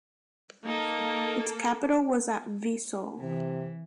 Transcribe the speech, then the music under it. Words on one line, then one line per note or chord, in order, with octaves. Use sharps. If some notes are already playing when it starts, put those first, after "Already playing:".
Its capital was at Vesoul.
A#3 D#4 A4
C3 E3